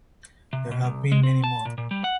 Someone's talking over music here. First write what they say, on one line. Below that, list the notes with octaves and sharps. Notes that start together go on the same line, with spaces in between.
There have been many more.
C3
B2
C2
G#3
C4
A5
A#2
A#2
G3
F#5